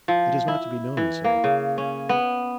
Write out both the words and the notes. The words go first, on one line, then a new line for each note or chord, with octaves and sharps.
'It is not to be known, sir.
F3
E4
E3
A#3
C#3
C#4
B3